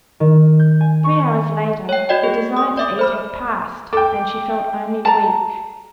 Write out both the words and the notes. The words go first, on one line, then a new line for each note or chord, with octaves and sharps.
Three hours later the desire to eat had passed, and she felt only weak.
D#3
G6
G#5
C#6
G#5
C#5 G5
F#4 D5 D#5 G5
G#4
D#6
D5 E5 D6
C5 B5 F6
A4 G5 D6
A5 A#5